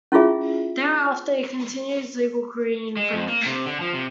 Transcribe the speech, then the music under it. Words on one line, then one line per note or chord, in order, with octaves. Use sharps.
Thereafter, he continued his legal career in Frankfurt.
C#4 E4 F4 G#4 E5
G#3
F2
A#3
C3
D3
F3
C3